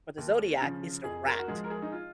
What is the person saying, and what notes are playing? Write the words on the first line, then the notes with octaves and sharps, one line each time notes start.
for the zodiac is the rat.
D#2
C#3 F3
F2 G#4
A#4
F#4
F3 G#3 G#4
A#4
G#4
D#4
F4